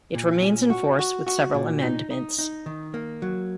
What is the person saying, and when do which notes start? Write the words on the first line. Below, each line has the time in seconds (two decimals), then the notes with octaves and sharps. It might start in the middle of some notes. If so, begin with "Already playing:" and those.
It remains in force with several amendments.
0.15 A#2
0.42 C#4
0.70 F#4
0.99 F#4
1.27 F#4
1.54 A#2
1.82 D#4
2.11 D#4
2.39 D#4
2.66 D#3
2.94 A#3
3.22 F#3